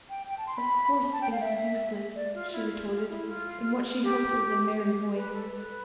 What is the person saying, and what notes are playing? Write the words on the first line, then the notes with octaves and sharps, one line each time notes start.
"Of course it is useless," she retorted in what she hoped was a merry voice.
G5
G5
A5
C6
B5
A5
G5
F5
E5
D5
F4
E4
F4
F4
E4
F4
G4
B4
A4
B4